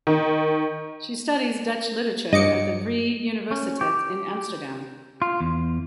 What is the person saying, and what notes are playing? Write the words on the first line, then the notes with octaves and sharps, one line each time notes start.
She studies Dutch literature at the Vrije Universiteit in Amsterdam.
D#3
G2 D#5 D6 C#7
C#4
G4
F4
E2